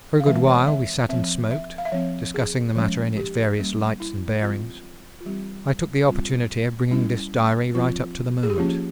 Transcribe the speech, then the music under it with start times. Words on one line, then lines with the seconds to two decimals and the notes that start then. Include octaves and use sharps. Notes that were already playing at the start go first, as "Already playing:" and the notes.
For a good while we sat and smoked, discussing the matter in its various lights and bearings; I took the opportunity of bringing this diary right up to the moment.
0.20 F5
0.26 E3 G#3 C4 E5
0.47 C#5
0.67 E5
1.09 F3 C4 E5
1.51 E5
1.78 F5
1.85 E5
1.92 F3 C4 C#5
2.34 G#4
2.76 F3 G#3 C#4
3.17 G4
3.59 G3 A#3 C#4
4.00 E4
4.42 F3 G#3 C4 F4
5.21 F4
5.25 E3 G3 C4 G4
6.08 G3 C4 F4
6.91 G3 C#4 E4
7.75 F3 C4 F4
8.43 G#4
8.50 G4
8.58 F3 A#3 C#4 F4